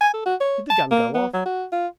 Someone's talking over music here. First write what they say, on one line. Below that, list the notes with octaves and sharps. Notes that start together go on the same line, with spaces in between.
Did the gun go off? ...'
G#5
A4
F#4
C#5
A5
A#3
B3
F#3
F#4
F4